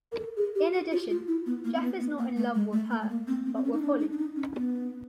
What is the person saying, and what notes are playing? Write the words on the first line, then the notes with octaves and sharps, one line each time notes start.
In addition, Jeff is not in love with her but with Holly.
A#4
A4
G#4
G4
F#4
F4
F4
E4
B3
A#3
C4
B3
B3
A#3
A3
G#3
A3
A#3
A3
A#3
C4
C4
C4
C#4
D#4
D4
D#4
D4
D#4
C#4
B3